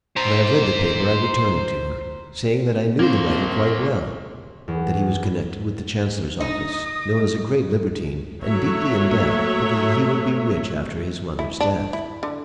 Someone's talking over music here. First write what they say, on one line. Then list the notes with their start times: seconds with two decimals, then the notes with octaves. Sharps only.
When I have read the paper, I return it to her, saying that I knew the writer quite well, that he was connected with the chancellor's office, known as a great libertine, and deeply in debt, but that he would be rich after his mother's death.
0.17 C5 A#5
3.00 A#3 C4 C5
4.68 E2
6.40 D#4 D#5 D#6
8.43 F#3 A3 A#3 C#5 E5
11.39 E4
11.61 D4
11.93 E4
12.23 D3